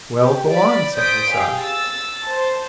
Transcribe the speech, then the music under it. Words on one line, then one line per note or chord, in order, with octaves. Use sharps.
"Well, go on!" said his son.
G4
D5 B5
C5 D5 D#6 G6 B6 D7
G4 G#4 F5 G5
E6 A6
C5 A5